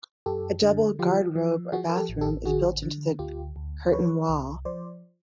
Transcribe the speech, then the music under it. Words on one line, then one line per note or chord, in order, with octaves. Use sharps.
A double garderobe or bathroom is built into the curtain wall.
F#2 G4 A4
D3
F3 F4 G4
F3
F3 F#4 G#4
A#4
G4 A4
A1
G4 A4
D3 F#4 G#4
D3
D2 F4 G4
D2
F3 B4 C#5
C2
F3 C5 D5